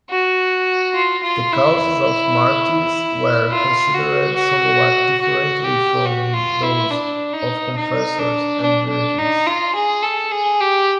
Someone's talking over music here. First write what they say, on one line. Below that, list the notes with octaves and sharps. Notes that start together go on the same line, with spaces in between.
The causes of martyrs were considered somewhat differently from those of confessors and virgins.
F#4
F4
F4
E4
F4
F#4
F#4
F#4
G4
F#4
F4
E4
D4
D#4
D#4
D4
D4
D4
D#4
F4
G#4
A4
G#4
G4